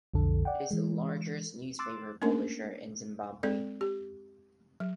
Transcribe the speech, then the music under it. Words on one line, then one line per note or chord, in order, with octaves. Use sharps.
It is the largest newspaper publisher in Zimbabwe.
B1 F2 D3 A4
D5 F#5 G5
E3 G#3
C6 D6 E6 F#6 A6
A3 A#3 C#4 D4 A#4
G#3 C4 A4 D5
G4
F#3